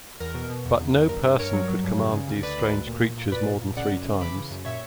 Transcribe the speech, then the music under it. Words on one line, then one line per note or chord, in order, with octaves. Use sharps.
But no person could command these strange creatures more than three times.
E2 A#4
B2
B2
E2
E2
E2
G2 A#4
G2
G2 A#4 C#5
F#3
F#3
G2
C#3
C#3
D2
D2 B4 D5
D2
D2
A#2
A#2
A#2
A#2 B4 D5
A#2
A#2
C#3 D5 F#5
F#2
C#3
E3 B5 D6
C#3
F#2
A#2 C#5 E5